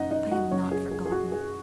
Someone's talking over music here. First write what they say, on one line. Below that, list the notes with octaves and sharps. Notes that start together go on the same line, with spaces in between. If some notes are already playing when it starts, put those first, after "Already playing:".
I am not forgotten.
Already playing: F#1 D#3 C#4 D#4 D#5 F#5
D#4 D#5
F#4 F#5
F#1 F#2 F#3 C#4 C#5
G#4
G#4
G#4
F#4
G#4